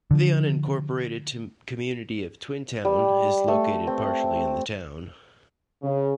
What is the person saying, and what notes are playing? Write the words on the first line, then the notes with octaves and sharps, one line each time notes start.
The unincorporated community of Twin Town is located partially in the town.
D3 F3
G3
A3
C4
C#3